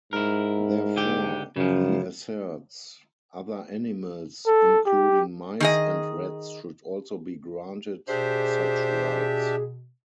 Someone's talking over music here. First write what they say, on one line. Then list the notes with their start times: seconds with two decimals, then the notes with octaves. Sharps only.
Therefore, he asserts, other animals-including mice and rats-should also be granted such rights.
0.13 G#2 E4 A#4
0.96 D3 G4
1.56 F#2 C#3 F3
4.47 A4
4.86 G4
5.60 D#3 G#4 D#5
8.08 B2 D4 G4 G#4 C5 E5